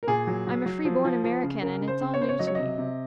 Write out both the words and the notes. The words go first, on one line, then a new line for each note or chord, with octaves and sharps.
I'm a free-born American, and it's all new to me.
A#4
A#2 G#4
F#3
F#3
F#3
F3
F3
F3
C#3
C#3 A#4
C#3
C5
C#3
C#5
C#3 C5
C#5
F#3 D#5
C#5
C3 D#5
C3